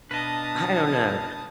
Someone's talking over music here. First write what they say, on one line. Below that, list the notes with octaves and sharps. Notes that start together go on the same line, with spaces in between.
I don't know.
B2 D4 B4 D#5 F5 A5 A#5 D#6